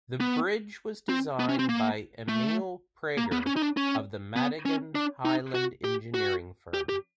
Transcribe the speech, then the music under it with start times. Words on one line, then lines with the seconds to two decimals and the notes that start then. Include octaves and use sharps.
The bridge was designed by Emil Praeger of the Madigan-Hyland engineering firm.
0.20 B3
1.09 C4
1.39 B3
1.49 C#4
1.59 C4
1.69 A#3
2.29 A3
3.18 A#3
3.32 B3
3.46 C#4
3.56 D#4
3.62 D4
3.77 C#4
4.36 B3
4.66 C#4
4.95 D4
5.25 D#4
5.55 F#4
5.84 G4
6.14 F#4
6.74 G4
6.89 G4